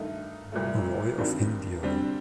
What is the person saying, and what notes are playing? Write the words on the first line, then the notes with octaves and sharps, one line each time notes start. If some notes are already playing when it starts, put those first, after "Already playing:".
Roy of India.
Already playing: G2 D#3 A3 D#4
C2 A#2 A3
G2 D#3 G3 C4
D3 G3 C4